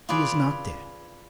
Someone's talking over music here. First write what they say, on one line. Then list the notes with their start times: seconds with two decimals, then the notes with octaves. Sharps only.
He is not dead.
0.09 F4 G#4 B4 D5 F5